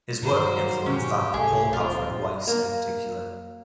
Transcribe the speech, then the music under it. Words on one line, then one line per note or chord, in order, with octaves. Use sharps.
His work influenced that of Paul Alfred Weiss in particular.
G2 D#3 F#3 A#3 C5
G#2 B2 D#3 C#4 G4
C2 G#2 A3 G#4
D1 F2 A#2 F4
A#3